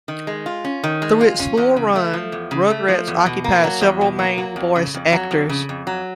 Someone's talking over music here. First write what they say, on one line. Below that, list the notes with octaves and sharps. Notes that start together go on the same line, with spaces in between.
Through its full run, "Rugrats" occupied several main voice actors.
D#3
G#3
F4
C#4
D#3
G#3
F4
C#4
E2
C#3
A3
F3
E2
C#3
A3
F3
E2
B2
A#3
F#3
E2
B2
A#3
F#3
F2
C#3
F2
F#3
F2
C#3
F2
F#3